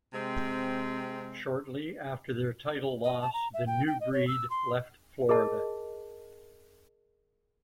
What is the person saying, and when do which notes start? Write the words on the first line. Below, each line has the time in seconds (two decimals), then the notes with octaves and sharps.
Shortly after their title loss the New Breed left Florida.
0.13 C3 G#3 C4
3.04 D#5
3.22 A5
3.34 A#5
3.54 E5
3.67 G5
3.88 G5
4.01 D#5
4.13 C#5
4.27 E6
4.50 C6
5.29 G#4 A#4 D#5 A5